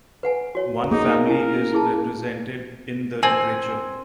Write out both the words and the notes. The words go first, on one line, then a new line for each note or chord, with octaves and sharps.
One family is represented in the literature.
B4 F#5 G#5
F#4 C#5
A#3 D#4 G#4
C#4 E4 A#4 G#5
E4 G#4 A5
C4 G#5